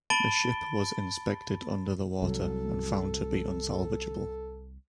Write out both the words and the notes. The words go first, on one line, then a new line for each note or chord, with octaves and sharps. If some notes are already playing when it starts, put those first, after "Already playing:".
The ship was inspected under the water and found to be unsalvageable.
A5 B5 A6 D7 G7
C2 F#3 A4